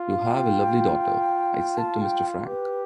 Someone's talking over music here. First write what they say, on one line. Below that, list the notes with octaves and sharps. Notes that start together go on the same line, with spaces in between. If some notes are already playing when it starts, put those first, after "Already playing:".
'You have a lovely daughter', I said to Mr. Frank.
Already playing: F4
F5
G5
A5
G5
G4 B4